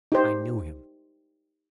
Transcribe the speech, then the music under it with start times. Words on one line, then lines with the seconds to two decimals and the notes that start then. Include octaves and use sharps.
I knew him.
0.12 D#4 G4 C5